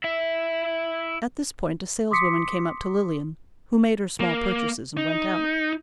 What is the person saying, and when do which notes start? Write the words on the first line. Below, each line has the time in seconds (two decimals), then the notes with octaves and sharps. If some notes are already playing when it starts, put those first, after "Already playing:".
At this point a saleswoman came up to Lilian, who made her small purchases and went out.
0.04 E4 E5
2.11 C6 D6 D#6 B6 C#7
4.20 A#3
4.97 D#4